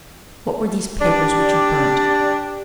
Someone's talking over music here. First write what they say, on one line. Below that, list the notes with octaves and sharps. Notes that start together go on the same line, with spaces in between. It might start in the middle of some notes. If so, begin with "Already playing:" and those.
"What were these papers which you burnt?"
D4 G4 D5